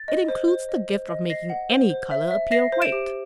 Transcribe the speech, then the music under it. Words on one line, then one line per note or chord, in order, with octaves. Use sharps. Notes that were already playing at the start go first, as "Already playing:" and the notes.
It includes the gift of making any color appear white.
Already playing: A6
D#5
C5
C5
D#5
C5
D#5
D#5 A#6 C7
F#5
C5
C5
E5
E5
E5 A#6 C7
C5
D7 E7
G4